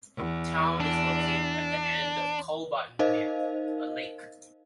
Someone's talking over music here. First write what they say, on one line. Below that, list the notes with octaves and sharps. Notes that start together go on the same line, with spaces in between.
Town is located at the end of Kolbotnvannet, a lake.
E2
D4
D#4 A#4 C5 D#5 F5